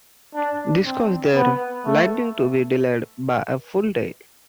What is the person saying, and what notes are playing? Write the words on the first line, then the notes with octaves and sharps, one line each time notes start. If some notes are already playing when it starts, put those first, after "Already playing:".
This caused their landing to be delayed by a full day.
D4
C4
B3
A3